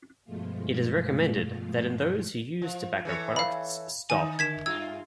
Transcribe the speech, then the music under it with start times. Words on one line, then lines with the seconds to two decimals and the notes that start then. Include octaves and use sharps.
It is recommended that in those who use tobacco products stop.
0.25 G2 B2 F3 G#3 A3 F4
2.62 F3
3.05 E3 A4 C#5
3.36 F5 B5
4.10 D#3 D#4 G#5
4.39 D3 G#6 B6 E7
4.66 G2 F4 E6 G#6